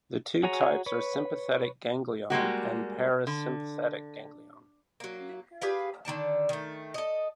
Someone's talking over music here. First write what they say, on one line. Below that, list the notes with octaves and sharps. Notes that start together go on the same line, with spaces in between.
The two types are sympathetic ganglion and parasympathetic ganglion.
F#4 G#4 C#5 G#5 A#5
B4 C#5
G3 G#3 A#3 F#4
D3
F#3 A#3
G4 G#4 B4 F5
D3 D#3 D5 A5
D#3 A3
A4 D#5